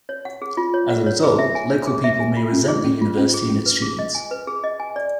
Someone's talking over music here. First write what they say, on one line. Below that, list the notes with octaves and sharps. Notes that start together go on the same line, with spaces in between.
As a result, local people may resent the university and its students.
C#5
F#5
G#4
F4
C#5
F#5
C#5
G#4
E5
G#5
C#5
G#4
E5
G#5
F4
C#4
G#4
C#4
F4
C#4
G#4
C#4
B4
G#4
D#5
G#5
B4
G#4
D#5
G#5
D5